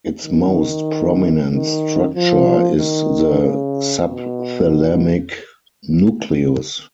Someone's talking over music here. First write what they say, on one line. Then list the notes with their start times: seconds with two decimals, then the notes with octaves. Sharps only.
Its most prominent structure is the subthalamic nucleus.
0.24 D#3
1.51 D#3
2.15 F3
2.79 D#3
3.41 C#3
4.06 B2